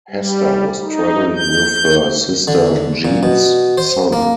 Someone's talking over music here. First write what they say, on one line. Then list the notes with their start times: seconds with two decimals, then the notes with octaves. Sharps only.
Hester was traveling with her sister Jean's son.
0.10 G3
0.82 D#4
1.36 G6
2.48 D3
3.05 A#2
3.23 B2
3.78 C5
4.13 A#3